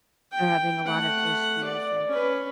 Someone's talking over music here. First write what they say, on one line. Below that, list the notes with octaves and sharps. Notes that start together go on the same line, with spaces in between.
they're having a lot of issues. And
G5
A3 F#5
D5
C#4 B4